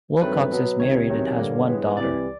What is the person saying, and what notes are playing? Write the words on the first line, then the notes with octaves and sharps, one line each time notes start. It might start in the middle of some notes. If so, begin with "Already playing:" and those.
Wilcox is married and has one daughter.
G2 D#3 F#3 A3 C4 B4
B2 F#3 B3
C#2 C3 D#3 C#5
E2 C3 D#3 F#3
G2 D3 G3 A#3
G2 E3 G#3 B3
C2 C3 E3 D5